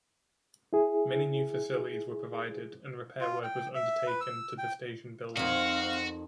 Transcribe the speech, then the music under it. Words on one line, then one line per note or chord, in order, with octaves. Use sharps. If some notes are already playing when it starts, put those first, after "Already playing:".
Many new facilities were provided, and repair work was undertaken to the station building.
E4 G#4
F4
G5
E5
B4
E6
G5
F2 D#3 C4 F#4 F5